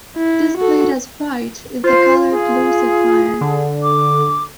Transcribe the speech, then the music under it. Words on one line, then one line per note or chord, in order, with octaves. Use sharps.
Displayed as right is the color blue sapphire.
E4
F#4 A4
F4 C5
G#4
D3
D6